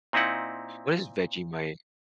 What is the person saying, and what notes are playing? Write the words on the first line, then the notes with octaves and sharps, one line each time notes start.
What is Vegemite?
A#2 C4 D#4 E4 F#5